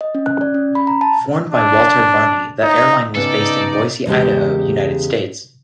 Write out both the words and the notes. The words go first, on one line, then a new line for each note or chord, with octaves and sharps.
Formed by Walter Varney, the airline was based in Boise, Idaho, United States.
D#5
C#4
F#6
D5
C#4
B5
A#5
A5
D4
D#4
C#3 B3 D#4 A4 D5
E2 C#3 G#3 G4